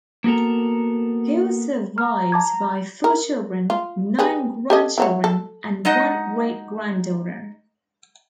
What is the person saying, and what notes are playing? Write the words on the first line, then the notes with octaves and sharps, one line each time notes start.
He was survived by four children, nine grandchildren and one great-granddaughter.
A#3 B3 F#4 A4 A#4
A#5 F6
A5 D6 G#6
A#4
F4
G4 G#4 B4
G4 A4 D#5
E3 F#3 C#5
A4
G#3 D#4 D#5 F#5